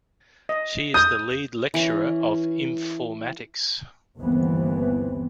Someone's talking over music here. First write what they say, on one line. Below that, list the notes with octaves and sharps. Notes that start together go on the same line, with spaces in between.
She is the lead lecturer of informatics.
D#5
D#6 G6
E3 C#4
G1 D#2 E3 B3 C4